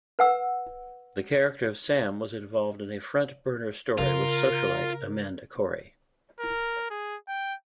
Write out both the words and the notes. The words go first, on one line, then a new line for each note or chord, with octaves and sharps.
The character of Sam was involved in a front-burner story with socialite Amanda Cory.
B4 F#5 E6
C#3 C#4 F4 A#4
A#4
G#4
G5